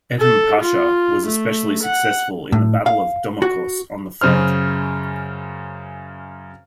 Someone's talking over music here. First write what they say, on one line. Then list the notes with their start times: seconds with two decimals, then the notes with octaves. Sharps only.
Edhem Pasha was especially successful in the Battle of Domokos on the front.
0.20 A4
0.61 F4
1.27 A3
1.83 F#5
2.52 A2
2.86 F5
3.42 F#4
4.21 F#2 C#3 C5 F6